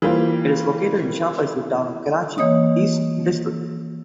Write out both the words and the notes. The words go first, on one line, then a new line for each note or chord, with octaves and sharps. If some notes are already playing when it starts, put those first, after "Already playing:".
It is located in Shah Faisal town of Karachi East district.
E3 G3 A#3 F4 C5
E3 A#3 C#5 D#5 D#6